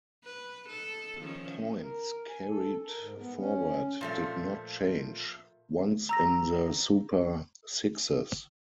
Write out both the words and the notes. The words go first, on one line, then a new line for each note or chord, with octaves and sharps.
Points carried forward did not change once in the Super Sixes.
B4
D#4 A4
D#3 F3 C#4
A#4
G#5
A4
A#4
G#2
B3
C#4
A#2 F3 A3
A#5 E6 A#6